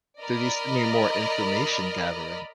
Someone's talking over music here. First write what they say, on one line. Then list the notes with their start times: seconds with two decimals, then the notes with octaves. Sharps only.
Did you send me more information gathering.
0.20 A#4 D5 D#5 B5 F6